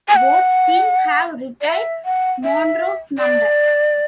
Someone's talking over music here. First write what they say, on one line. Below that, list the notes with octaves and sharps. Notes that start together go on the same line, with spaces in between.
Both teams have retired Monroe's number.
G#5
F#5
D5
E5
F#5
E5
D5